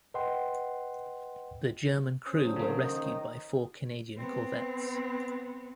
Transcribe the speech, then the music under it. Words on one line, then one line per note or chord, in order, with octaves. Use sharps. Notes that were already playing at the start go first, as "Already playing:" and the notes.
The German crew were rescued by four Canadian corvettes.
B4 D#5 F#5 G5 C6
C#4 C5 D#6
D3 F#3
C#3 A#3
D#3 D#4 D#5
B3 C4